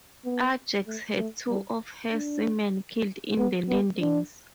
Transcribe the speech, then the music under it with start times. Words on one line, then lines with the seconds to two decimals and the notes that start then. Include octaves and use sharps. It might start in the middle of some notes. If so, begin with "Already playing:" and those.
"Ajax" had two of her seamen killed in the landings.
0.25 B3
0.87 A3
1.18 A3
1.50 G3
2.12 D4
3.38 B3
3.69 B3
4.00 D4